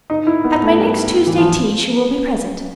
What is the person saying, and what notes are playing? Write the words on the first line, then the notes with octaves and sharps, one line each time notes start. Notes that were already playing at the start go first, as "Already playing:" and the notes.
At my next Tuesday tea she will be present.
D#4
E4
B3
A3
G3
E3
F3